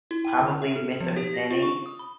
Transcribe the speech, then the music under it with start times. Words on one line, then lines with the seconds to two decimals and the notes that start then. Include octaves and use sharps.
probably misunderstanding
0.11 E4
0.25 G5
0.41 D3
0.62 E5
0.76 A4
1.00 F3
1.16 G4
1.34 A#6
1.51 F4
1.62 C#6
1.86 D#6
1.99 B5